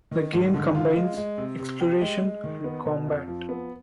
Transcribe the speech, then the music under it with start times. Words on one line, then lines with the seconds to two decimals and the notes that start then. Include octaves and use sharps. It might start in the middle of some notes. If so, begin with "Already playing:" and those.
The game combines exploration and combat.
0.11 D#3
0.33 G#2
0.54 D3
0.75 F4
0.96 G#3
1.17 G#3
1.38 C3
1.59 C3
1.80 G4
2.01 G#3
2.23 G#3
2.44 D#3
2.64 B3
2.85 B2
3.07 F2
3.28 F3
3.49 B3